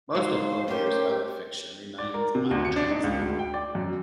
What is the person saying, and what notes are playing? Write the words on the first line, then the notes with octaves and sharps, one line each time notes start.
Most of Odier's other fiction remains untranslated.
G#3 D#4 C5 F5
A3 C#4 G4 A#4 C5
D5
A#4
C3
D2
C#7
D4
D#4
C#2
D2
G5
D5
F#2